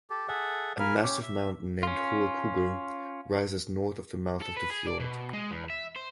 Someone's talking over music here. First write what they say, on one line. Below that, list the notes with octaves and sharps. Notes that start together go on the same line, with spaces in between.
A massive mountain named Hohe Kugel rises north of the mouth of the fjord.
G4 A4
G#4 A4 E5 F#5
A#4 F5 G#5 B5
C#4 G4
E5
C#4 F4
A4
B4
G#4
D5
B2
G#3
E2
E5
C5